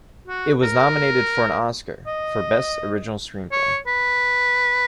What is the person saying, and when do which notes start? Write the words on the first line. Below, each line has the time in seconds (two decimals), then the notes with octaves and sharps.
It was nominated for an Oscar for best original screenplay.
0.28 F#4
0.63 A#4
2.07 D#5
3.52 C#5
3.87 B4